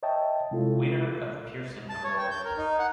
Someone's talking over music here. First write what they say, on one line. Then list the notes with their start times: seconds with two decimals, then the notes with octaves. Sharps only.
Winner of Pearson award.
0.03 C#5 D#5 E5 G5 A5
0.51 C3 G#3 E4 F4 A4
1.89 A5
2.04 C#5
2.17 G5
2.31 G6
2.45 A#4
2.57 D#4
2.79 F#5